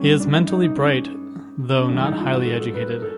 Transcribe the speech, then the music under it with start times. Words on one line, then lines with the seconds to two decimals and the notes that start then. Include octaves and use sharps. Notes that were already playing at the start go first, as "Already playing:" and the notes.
He is mentally bright, though not highly educated.
Already playing: G2 G3 C#4
0.20 D4
0.34 E4
0.48 D#4
0.62 D#4
0.76 C#4
1.79 C#4
1.89 A1 G2 E3 G#3 D4
2.04 D#4
2.17 F4
2.32 F#4
2.45 A4
2.60 A4
2.74 B4
2.88 A#4
3.02 A4